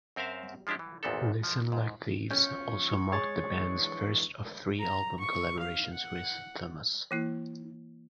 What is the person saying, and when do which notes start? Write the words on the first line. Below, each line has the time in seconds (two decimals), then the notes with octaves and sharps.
"Listen Like Thieves" also marked the band's first of three album collaborations with Thomas.
0.16 F#2 C4 A#4 C5 E5 F5
0.67 F3 G#3 D4 E4 G4
0.79 E3
1.03 G#1 E2 A#2 B3 C4 A4
1.43 F3
1.72 G#2
2.31 C#4 F4 C#5 G5 C#6
3.12 G#3 G#4 C#5 A6
3.60 E3 G#3 D4
4.80 A#5
5.20 C#6
5.59 F5
5.93 F#5
7.11 E3 A#3 E4